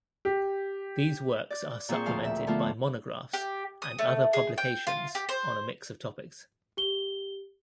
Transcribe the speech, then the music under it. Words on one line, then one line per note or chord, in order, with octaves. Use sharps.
These works are supplemented by monographs and other publications on a mix of topics.
G4
D5
A#2 C4 G#4 C5 C#6
D2 F3 F5
E5
D3 F3 A3 B3 F4
G4
D#6
A3
G#4
G5
F4
G4
C5
G4 G7